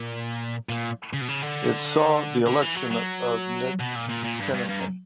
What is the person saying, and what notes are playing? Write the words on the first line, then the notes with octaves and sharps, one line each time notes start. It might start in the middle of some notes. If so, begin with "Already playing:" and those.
It saw the election of Nick Tennyson.
Already playing: A#2
A#2
C#3
B2
C#3
D3
D3
E3
F#3
F#3
B2
A#2
A#2
A#2
G2
G2
G2
F#2